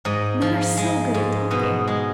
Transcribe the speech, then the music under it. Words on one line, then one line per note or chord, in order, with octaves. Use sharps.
Men are so good at talking!
G#2 D#5
F3
G#3
G#2
B2 D#5
G#3